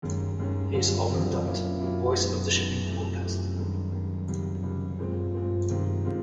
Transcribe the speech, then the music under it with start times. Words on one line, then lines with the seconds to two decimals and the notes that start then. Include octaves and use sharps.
He is often dubbed "Voice of the Shipping Forecast".
0.02 D#2 D#3 G#3 C#4
0.38 D#2 D#3 G#3 C#4
0.73 F#2 D3 G3 C4 F4
1.09 F#2 D3 G3 C4 F4
1.44 A#2 F#3 A#3 C#4 E4
1.79 A#2 F#3 A#3 C#4 E4
2.15 E2 B2 G#3 B3 D#4
2.50 E2 B2 G#3 B3 D#4
2.85 F2 C3 E3 A3
3.21 F2 C3 E3 A3
3.56 G2 D#3 G#3
3.92 G2 D#3 G#3
4.27 C#2 C3 D#3 G3
4.62 C#2 C3 D#3 G3
4.99 A#2 F3 G#3 C4
5.34 A#2 F3 G#3 C4
5.69 C3 D#3 G#3 C4 F4
6.05 D#3 G#3 C4 F4